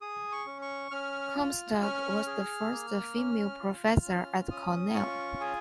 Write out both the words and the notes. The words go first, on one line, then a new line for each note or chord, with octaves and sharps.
Comstock was the first female professor at Cornell.
G#4 D#6
C#6
C#4
C#6
C#4 F6
F4
C#4 F6
G#4
A#3
C#4
F4
C#4
C#4 D#6
F4 C#6
G#4 G#5